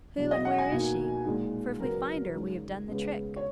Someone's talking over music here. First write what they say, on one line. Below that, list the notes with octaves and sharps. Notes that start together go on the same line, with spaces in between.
Who and where is she? for if we find her we have done the trick.'
E2 B2 F#3
D#5
F#5
G#5
B2 A#3 D#4
A#2 G#3 D#4
C#3 F#3 B3 A#4
C#2 C#3 G#3 D#4
C#2 C#3 G#3 B3
C#5